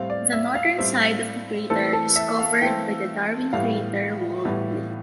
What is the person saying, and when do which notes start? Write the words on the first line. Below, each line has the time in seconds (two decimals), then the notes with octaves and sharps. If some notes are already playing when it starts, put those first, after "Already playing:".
The northern side of the crater is covered by the Darwin Crater walled plain.
Already playing: A2 G3 C4 F5
0.10 D5
0.32 E5
0.55 F5
0.78 A2 G3 C4 E5
1.70 E3 A3 C4 A4
1.93 A4
2.16 E5
2.39 F5
2.61 E3 A3 C4 G5
3.53 A2 E3 G3 B3 F5
4.45 A2 E3 G3 B3